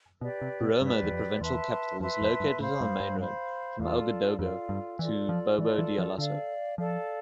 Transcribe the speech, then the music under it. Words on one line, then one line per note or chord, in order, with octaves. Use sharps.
Boromo, the provincial capital, is located on the main road from Ouagadougou to Bobo-Dioulasso.
B2 G4 B4 D5
C3
B2
G2 G4 B4 D5
E2
F2
E2 B4 E5 A5 C6
F2 B4 E5 A5 C6
F2
G2
A2 C5 F5 B5
G2
G2
C5 F5 B5
E2 F4 A4 D5 F5
F2 F4 A4 D5 F5
G2
E3 F4 A4 D5
F3
E3 F4 A4 D5
E3
F3
D3 A4 D5 F5
F3 A4 D5 F5